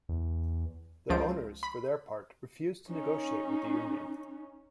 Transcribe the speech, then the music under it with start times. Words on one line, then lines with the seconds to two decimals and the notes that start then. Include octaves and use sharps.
The owners, for their part, refused to negotiate with the union.
0.09 E2
1.10 C#2 F3 D7
1.63 B5
2.90 C#4 D#4